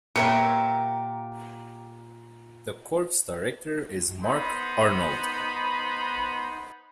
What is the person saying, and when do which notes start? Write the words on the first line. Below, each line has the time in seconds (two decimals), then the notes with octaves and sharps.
The corps director is Mark Arnold.
0.16 A#2 G4 A#4 B4 C#5 D5 E5 C#7
4.24 B3 D#4 C5 B5